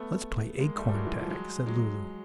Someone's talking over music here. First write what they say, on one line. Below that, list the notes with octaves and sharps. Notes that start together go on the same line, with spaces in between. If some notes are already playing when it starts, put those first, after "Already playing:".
"Let's play acorn tag," said Lulu.
Already playing: A3 B3
G#3 A#3
G3 A3
G3
F#3 G#3
E3 F#3
F3 G3
F#3 G#3
F#3 G#3